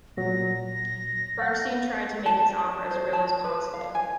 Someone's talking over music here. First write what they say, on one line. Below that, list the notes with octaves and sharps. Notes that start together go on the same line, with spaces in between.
Bernstein tried to make his opera as real as possible.
A#2 F#3 A#6
F5 F#5
A5
C5
A5
B4
F5
G#5